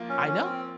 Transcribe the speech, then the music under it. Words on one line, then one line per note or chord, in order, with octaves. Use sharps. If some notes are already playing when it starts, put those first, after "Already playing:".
I know.
Already playing: F3 A#3 F4
C#4
C#4
C4